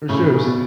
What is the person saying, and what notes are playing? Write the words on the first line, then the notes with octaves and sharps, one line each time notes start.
For sure, it was
A2 C#3
B2